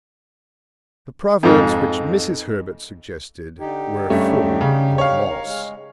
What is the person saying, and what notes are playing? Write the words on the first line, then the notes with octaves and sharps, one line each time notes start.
The proverbs which Mrs. Herbert suggested were full of moss.
F2 G#2
D3 D#4 G4
G2 A3 C#4
C#3
C#5 F5
A#4
G#3